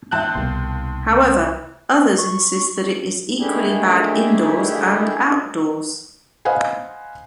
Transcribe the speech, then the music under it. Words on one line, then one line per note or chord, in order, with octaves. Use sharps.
However, others insist that it is equally bad indoors and outdoors.
D#2 E5 A5 C6 F#6 G6
C2 B2 C6
C#6
D#3 A3 D4 E4 G4 G#4
C5 D#5 F5 F#5 G#5 B5